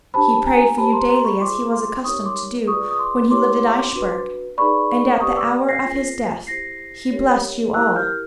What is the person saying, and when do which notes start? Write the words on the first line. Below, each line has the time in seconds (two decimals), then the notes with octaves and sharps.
He prayed for you daily, as he was accustomed to do when he lived at Eichbourg, and at the hour of his death he blessed you all.
0.14 D4 G4 C5 A5 B5
0.46 G#5 A#5
0.78 G4 C5 A5 B5
0.93 A#5 C6
1.09 A#5 C6
1.25 B5 C#6
1.40 F4 G#4 C5 C6 D6
1.72 C6 D6
2.04 D#4 G4 A#4 C#5 C#6 D#6
2.25 C6 D6
2.67 F4 G#4 B4 D5 C#6 D#6
2.91 D#6
2.99 C6 D6
3.30 E4 G4 A#4 C#5 C6 D6
3.94 D4 F#4 B4
4.58 D#4 G#4 B4 D5 B5 C#6
5.20 G4 B4 D5 C#6 D#6
5.37 D6 E6
5.68 A#6 C7
5.84 F4 G#4 B4
6.47 E4 G4 C5 A#6 C7
7.11 D4 G4 A#4 C#5
7.74 E4 G4 A#4 E6 F#6
7.96 F6 G6